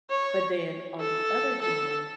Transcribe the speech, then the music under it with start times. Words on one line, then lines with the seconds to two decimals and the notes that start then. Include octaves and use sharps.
but then on the other hand,
0.11 C#5
1.00 A4
1.62 A4